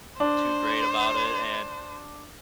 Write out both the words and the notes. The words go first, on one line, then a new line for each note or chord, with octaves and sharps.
too great about it, and
D4 C5